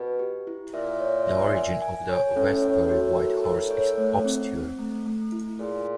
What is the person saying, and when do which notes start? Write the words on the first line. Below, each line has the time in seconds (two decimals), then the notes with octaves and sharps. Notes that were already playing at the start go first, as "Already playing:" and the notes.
The origin of the Westbury White Horse is obscure.
Already playing: B2 B4
0.19 G4
0.47 E4
0.74 A#2 E5
1.00 C#5
1.28 E5
1.55 G#5
1.82 G#5
2.09 C#5
2.36 A2 C#4
2.62 C#5
2.90 F#4
3.17 A#4
3.44 A#4
3.71 C#5
3.98 A3
4.25 C4
4.52 C4
4.79 A3
5.06 A3
5.32 E4
5.59 A#2 G#4